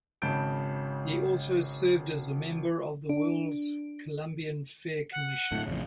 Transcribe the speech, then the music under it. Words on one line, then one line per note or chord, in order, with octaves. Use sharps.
He also served as a member of the World's Columbian Fair Commission.
G#1 C#3 A5 G6 D7
D4
F#5
A2 D3
A1 F2 C#3